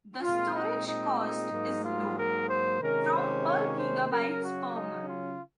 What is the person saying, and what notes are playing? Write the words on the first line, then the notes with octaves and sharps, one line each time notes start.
The storage cost is low, from per gigabytes per month.
A#2 G#3 C4 F4
D#4
D#4
D#4
G#2 F#3 A#3
F4
A#4
C5
C3 D#3 G#3 C#4 A#4
C5
C#5
C5
C#3 F#3 C#4 A#4
F#4
D#4
F4